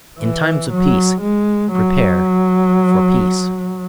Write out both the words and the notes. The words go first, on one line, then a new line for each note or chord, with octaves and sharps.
In times of peace prepare for peace.
E3
F#3
G#3
F#3